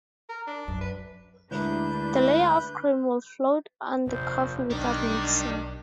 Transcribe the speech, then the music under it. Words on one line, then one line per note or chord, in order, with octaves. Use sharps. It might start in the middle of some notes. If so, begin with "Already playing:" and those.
The layer of cream will float on the coffee without mixing.
A#4
D4
F#2
B4
D2 G#3 D4 E4 A#4 B4 G6
F1 A#1 D#2 C3 C5
B1 D#3 D4 G4 D5